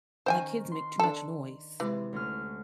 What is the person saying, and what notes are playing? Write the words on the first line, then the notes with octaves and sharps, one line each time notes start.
my kids make too much noise,
D#3 C#4 C5 G5 G#5
C6
D4 A4
C3 E3 G#3
D2 C#4 F6